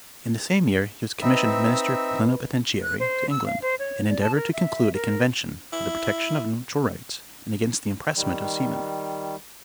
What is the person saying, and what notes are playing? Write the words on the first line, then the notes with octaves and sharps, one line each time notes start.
In the same year he was commissioned Minister Plenipotentiary to England, and endeavored to conclude a convention for the protection of neutral rights, and against the impressment of seamen.
C4 D#4 B4 D#5 E5 B5
F#6
C5
E6
F5
C5
C#5
D5
A5
A#4
E5
A#4
E4
D#3 G3